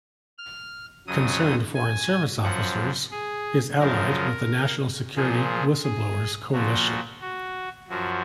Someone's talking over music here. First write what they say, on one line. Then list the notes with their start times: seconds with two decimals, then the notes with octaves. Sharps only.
Concerned Foreign Service Officers is allied with the National Security Whistle Blowers Coalition.
0.38 F6
1.07 F2 C#3 F#3 D#6
1.74 G#5
2.43 F#2 F3 F#5
3.11 G#4
3.79 F#2 C#3 F3 A#4
5.16 A#2 F3 G#4
5.84 G#4
6.52 A#2 F3 F#4
7.21 F#4
7.89 F#2 F3 F#4